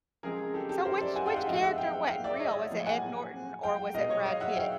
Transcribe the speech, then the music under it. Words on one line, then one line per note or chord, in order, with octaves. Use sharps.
So which which character wasn't real? Was it Ed Norton, or was it Brad Pitt?
C#3 F3 G#3 C4 G#4 A#4
G4 A4
G4 A4
A#4 C5
D5 E5
F#5 G#5
F5 G5
E5 F#5
G#2 F3 A3 C4 D#5 F5
E5 F#5
F5 G5
F5 G5
D5 E5
C#5 D#5
A2 F3 A#3
F#5 G#5
F5 G5
B2 G#3 B3 D#5 F5
C#5 D#5
D#5 F5
E5 F#5
F5 G5